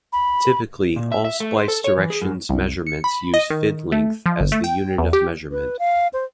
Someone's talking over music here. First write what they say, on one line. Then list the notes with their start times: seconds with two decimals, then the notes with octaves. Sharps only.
Typically, all splice directions measurements use fid-length as the unit of measurement.
0.13 B5
0.96 A#2
1.12 E5
1.25 E5
1.40 A3
1.57 C5
1.68 A4
1.84 C#5
1.97 E3
2.10 G#4
2.22 F#2
2.49 C2
2.87 C#7
3.04 B5
3.34 D#5
3.50 D#3
3.92 A3
4.26 F3
4.40 G1
4.52 A3
4.64 G5
4.98 E2
5.13 G4
5.52 B4
5.79 F5
6.13 C5